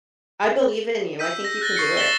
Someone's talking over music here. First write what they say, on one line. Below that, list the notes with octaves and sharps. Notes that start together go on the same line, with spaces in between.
I believe in you. I think you can do it.
E6 G6 B6 D#7
A#6
F#6 A6 A#6 G7
C#6 A6 C7 C#7
A6 B6 C#7 E7 F#7 G7